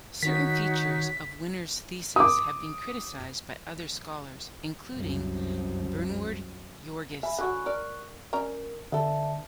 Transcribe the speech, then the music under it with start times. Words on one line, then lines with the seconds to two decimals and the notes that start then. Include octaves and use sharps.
Certain features of Winner's thesis have been criticized by other scholars, including Bernward Joerges.
0.23 D#3 D#4 F#4 C#5 B6
2.16 D6 D#6
4.92 C2 F#2
7.23 E5 G#5 B5
7.39 D3 F#3 F#4 C#6 F#6
7.66 A#4 D5
8.33 C#4 A#4 D5 A#5
8.92 D3 B3 A4 D5 E5 A5